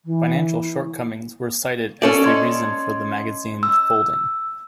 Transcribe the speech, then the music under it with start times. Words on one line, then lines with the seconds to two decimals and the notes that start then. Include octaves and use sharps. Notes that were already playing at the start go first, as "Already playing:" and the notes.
Financial shortcomings were cited as the reason for the magazine folding.
0.05 E3
2.02 C#4 A4 D5
2.24 D#5 C6 G#6
3.63 E6